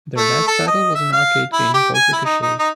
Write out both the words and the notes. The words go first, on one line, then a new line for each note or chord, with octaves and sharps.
Their last title was an arcade game called Ricochet.
A3
A4
D#5
E5
F5
E4
G4
G#5
E4
D#4
D#4
D#4